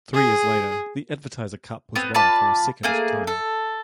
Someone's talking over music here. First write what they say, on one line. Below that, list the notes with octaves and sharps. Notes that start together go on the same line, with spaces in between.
Three years later the Advertiser Cup was won for a second time.
G#4
B3 C4
F4 B4 D5 A5
A3 A#3 G#4
A4